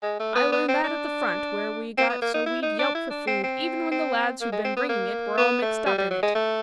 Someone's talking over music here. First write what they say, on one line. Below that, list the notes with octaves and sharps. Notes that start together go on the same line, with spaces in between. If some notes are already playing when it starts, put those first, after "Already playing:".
"I learned that at the front where we got so we'd yelp for food even when the lads who'd been bringing it were all mixed up in it."
G#3
A3
B3
B3
C4
D4
C4
B3
A#3
D#4
E4
D#4
D4
E4
D4
C4
C4
C4
A#3
G#3
C4
B3
A#3
B3
A3
G3
G3
F#3
G#3
A3